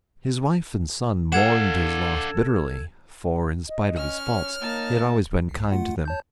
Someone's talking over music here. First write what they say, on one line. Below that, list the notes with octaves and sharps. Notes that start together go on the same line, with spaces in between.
His wife and son mourned his loss bitterly, for, in spite of his faults, he had always been kind to them.
D4 A4 F5 F#5 G#6 E7
D#5
C#4 F6
C#5
A#3 D#4 A5
C2
A3 F4 F#5
C#5 A5 G6